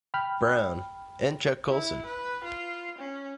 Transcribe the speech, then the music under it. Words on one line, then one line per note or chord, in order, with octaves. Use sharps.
Brown, and Chuck Colson.
G5 B5 F6
E4
B4
F4
C#4